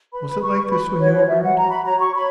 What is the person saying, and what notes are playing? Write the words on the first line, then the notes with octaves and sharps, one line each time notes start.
"Was it like this when you were married?"
B4 B5
B5
B4 C#6
C#6
B4 B5
F#4 C#5
C#5
F#4 E5
F#5
F#4 A#5
B5
C#5 A#5
C#6
C#5 B5